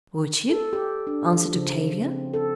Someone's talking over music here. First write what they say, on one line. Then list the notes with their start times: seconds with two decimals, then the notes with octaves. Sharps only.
"Would you?" answered Octavia.
0.49 A4
0.73 G4
1.07 D4
1.33 F3
1.55 C#3
2.01 C4
2.33 A4